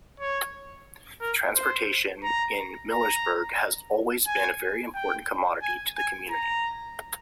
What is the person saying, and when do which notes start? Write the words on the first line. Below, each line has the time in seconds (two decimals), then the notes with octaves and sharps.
Transportation in Millersburg has always been a very important commodity to the community.
0.20 C#5
1.21 A#4
1.56 C5
2.24 A#5
2.92 A#5
4.27 G#5
4.95 G5
5.62 G#5
5.97 G#5
6.30 A#5